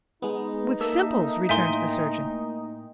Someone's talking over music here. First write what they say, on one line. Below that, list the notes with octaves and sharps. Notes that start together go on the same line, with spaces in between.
"With simples," returned the surgeon.
G#3 B3 D#4
A#3 A4 E5
A2 A#3 E5 G5 G#5 C6